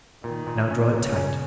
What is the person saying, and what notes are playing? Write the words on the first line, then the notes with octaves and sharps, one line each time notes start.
Now draw it tight.
A#2 D#3
A#2
C#4
A#2 C#3
C#4